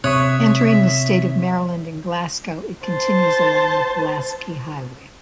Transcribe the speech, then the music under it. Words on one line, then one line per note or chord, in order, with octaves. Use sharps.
Entering the state from Maryland in Glasgow, it continues along the Pulaski Highway.
C3 C#5 E5 C#6 D#6 F#6
C5 A5